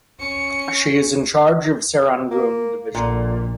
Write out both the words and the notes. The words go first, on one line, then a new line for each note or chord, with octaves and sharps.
She is in charge of Serangoon division.
C#4 C#7
A#3
A#1 A#2 D3